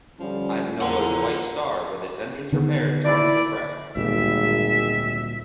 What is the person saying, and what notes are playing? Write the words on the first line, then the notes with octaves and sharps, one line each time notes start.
Ivanova's "White Star", with its engines repaired, joins the fray.
D3 F3 G3 C#4
E2 F3 A4 A#4 F#5
D3 D#3 B3
E4 D5
G#1 D2 A#2 G3 E5